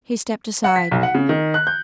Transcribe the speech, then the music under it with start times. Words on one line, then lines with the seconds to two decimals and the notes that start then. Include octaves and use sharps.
He stepped aside.
0.64 F#5
0.76 B6
0.91 B1
1.03 F#5
1.15 C#3
1.29 D#3
1.54 F#6
1.67 G6